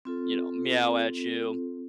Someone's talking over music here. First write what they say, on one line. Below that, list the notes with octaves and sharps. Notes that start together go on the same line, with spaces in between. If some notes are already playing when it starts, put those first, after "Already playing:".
you know, meow at you.
C4 F4 A4